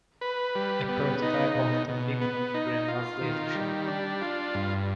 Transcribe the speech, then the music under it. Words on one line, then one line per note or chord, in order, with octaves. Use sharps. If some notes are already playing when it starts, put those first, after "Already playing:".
A prototype of the Figma figurine was later shown.
B4
G3
B3
D#4
B2
B2
B3
D#4
F4
D#3
G3
D4
F4
G2